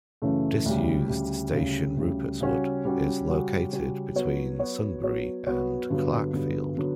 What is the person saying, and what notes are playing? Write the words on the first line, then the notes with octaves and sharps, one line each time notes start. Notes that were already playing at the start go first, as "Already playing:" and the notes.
Disused station Rupertswood is located between Sunbury and Clarkefield.
F#2 C#3 E3 A3
D2 C#3 G3
D2 C#3 G3
D2 C#3 G3
D2 C#3 G3
C#3 G3 C#4 F#4
C#3 G3 C#4 F#4
C#3 G3 C#4 F#4
C#3 G3 C#4 F#4
F#3 B3 F#4 C#5
F#3 B3 F#4 C#5
F#3 B3 F#4 C#5
F#3 B3 F#4 C#5
G2 D3 F#3 B3
G2 D3 F#3 B3
D3 F#3 B3